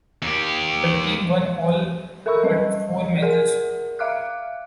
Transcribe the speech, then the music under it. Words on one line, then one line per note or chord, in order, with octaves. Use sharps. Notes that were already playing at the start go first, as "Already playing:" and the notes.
The team won all but four matches.
D#2 G4
A4 A#4 E5 B5 C#6 E6
F#3 G3 D#5
G#4 A#4 D5 F#5
E5 F5 D6 F6 F#6